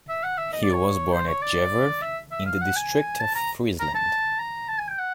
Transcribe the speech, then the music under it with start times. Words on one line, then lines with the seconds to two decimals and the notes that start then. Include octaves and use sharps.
He was born at Jever in the District of Friesland.
0.09 E5
0.24 F#5
0.38 E5
0.53 D#5
0.63 D5
0.73 C#5
1.13 C5
1.28 C#5
1.42 D5
2.02 E5
2.31 E5
2.46 F5
2.62 F#5
2.76 G#5
3.20 A5
3.35 A#5
3.80 A#5
3.95 A5
4.39 A#5
4.69 A5
4.79 G#5
4.88 G5
4.99 F#5